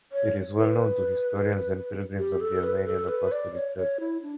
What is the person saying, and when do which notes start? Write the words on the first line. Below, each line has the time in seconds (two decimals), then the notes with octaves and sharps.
It is well known to historians and pilgrims of the Armenian Apostolic Church.
0.12 C#5
0.58 B4
2.18 G4
2.41 A4
2.63 B4
2.86 A4
3.08 B4
3.32 D5
3.55 C#5
3.77 C#5
4.00 E4
4.22 D4